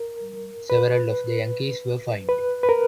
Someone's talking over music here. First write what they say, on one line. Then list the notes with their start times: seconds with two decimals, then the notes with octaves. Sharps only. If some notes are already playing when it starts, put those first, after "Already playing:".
Several of the Yankees were fined.
Already playing: A#4
0.70 B4
2.29 B4
2.63 B4
2.69 A#4